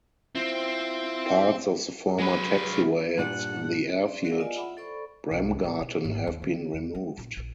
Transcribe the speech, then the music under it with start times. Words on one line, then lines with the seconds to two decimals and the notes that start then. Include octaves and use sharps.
Parts of the former taxiway at the airfield Bremgarten have been removed.
0.35 C4 E4 F4 E5
2.19 F#3 G#3 B4
3.18 G2 A#2 D4 F#5
4.02 C4 D5
4.25 F#4 A#4 B4 D5 F5
4.40 F4 D5 D#5 G#5
4.56 E4 F4 E5 F#5 B5
4.77 A4 C5 D5 B5 C#6
5.31 C2
5.65 A2
5.81 B2
6.05 G#1
6.27 D#2
6.42 D3
6.74 E2
6.95 G#3
7.18 A#1
7.37 A#1